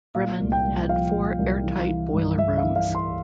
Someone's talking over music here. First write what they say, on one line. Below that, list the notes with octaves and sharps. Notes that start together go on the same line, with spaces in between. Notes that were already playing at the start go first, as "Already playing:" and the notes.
"Bremen" had four airtight boiler rooms.
A#2 F5
C2
G5
C2
F3 F5
A#2
C2
E3
E3
G2
G2 E5
F5
E3
F5
E3
C6